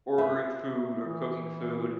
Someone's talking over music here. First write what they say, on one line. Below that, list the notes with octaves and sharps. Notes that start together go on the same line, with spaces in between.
ordering food or cooking food,
F4 B4 E5
E3